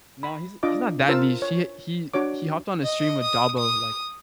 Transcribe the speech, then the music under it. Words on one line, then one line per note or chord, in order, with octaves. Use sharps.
Nah, he's he's not that niche. He he he hopped on the stream with Dabo, like
B5
D4 F4 D#5 D6
F4 A#4 C5 A5 E6
C#5
D4 F#4 C#5 D6
D#5
D#6
D#6